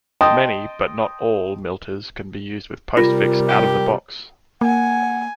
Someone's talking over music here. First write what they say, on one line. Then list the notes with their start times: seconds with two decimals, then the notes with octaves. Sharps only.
Many, but not all, milters can be used with Postfix "out of the box".
0.21 D#5 G5 A5 C6 D#6
2.97 C3 G3 F4 A#4
3.48 G4
4.61 A#3 F#5 G#5